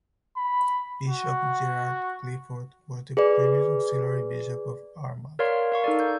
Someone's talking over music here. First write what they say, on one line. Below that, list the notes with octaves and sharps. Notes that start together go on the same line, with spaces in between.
Bishop Gerard Clifford was the previous auxiliary bishop of armagh.
B5
F#4
G#4 B4 D5
A#4 C#5 D5 F5 C6 F6
A#4 F5 C#6
D#4 A4 D5
G6